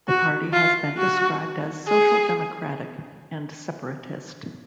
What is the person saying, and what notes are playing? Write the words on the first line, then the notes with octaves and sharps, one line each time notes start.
The party has been described as social-democratic and separatist.
F#4
F4
F#4
G#4